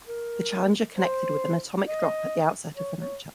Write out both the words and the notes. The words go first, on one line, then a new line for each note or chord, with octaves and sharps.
The challenger connected with an atomic drop at the outset of the matchup.
A#4
C5
D#5
C#5
C#5